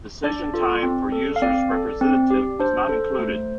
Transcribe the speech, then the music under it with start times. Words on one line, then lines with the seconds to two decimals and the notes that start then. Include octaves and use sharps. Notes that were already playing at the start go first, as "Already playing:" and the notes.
Decision time for users representative is not included.
0.24 D4 D5
0.54 F4 A4
0.83 C4
1.12 A4
1.36 F5
1.42 C4 D5
1.71 A4
2.01 C4
2.30 G4
2.60 D4 C5
2.89 A4
3.19 A3